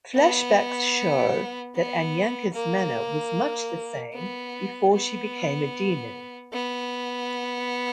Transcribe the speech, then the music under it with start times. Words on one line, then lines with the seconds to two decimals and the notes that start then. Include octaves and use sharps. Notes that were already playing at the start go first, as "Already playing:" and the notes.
Flashbacks show that Anyanka's manner was much the same before she became a demon.
0.15 B3
1.75 B3
2.54 A#3
4.14 B3
4.93 B3
6.53 B3